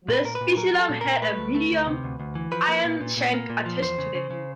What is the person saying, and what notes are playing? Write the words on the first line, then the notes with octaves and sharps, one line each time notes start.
The spiculum had a medium iron shank attached to the head.
A#2 B4
A#2 A#4
B4
A#2
F#3 A#4
F#3
A4
A#2
A#2 A#4
A3 B4
D2
A3
D2
C3
D2
D2
E3
F3 B4
A#3
A#2
A#2
A#2
A#3
A#2
F3
E2 C5
C#3
C#3
C#3